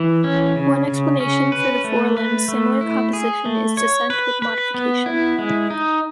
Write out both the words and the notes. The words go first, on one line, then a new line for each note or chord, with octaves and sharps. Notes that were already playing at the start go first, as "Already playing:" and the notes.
One explanation for the forelimbs' similar composition is descent with modification.
Already playing: E3
C#4
C#3
C#3
C#4
B4
A3
B4
A3
E4
G#4
A3
C#5
B4
B4
B3
E4
G#3
D#4